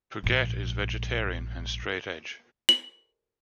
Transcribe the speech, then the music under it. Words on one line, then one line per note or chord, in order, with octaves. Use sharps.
Puget is vegetarian and straight edge.
A#1 G#2
F#7